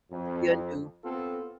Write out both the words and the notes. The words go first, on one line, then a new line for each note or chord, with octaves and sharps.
still new.
F2
B3 C4 F4 A4